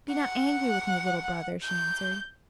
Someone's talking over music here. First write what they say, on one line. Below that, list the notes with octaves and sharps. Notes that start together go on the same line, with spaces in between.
"Be not angry with me, little brother," she answered.
F#5
G6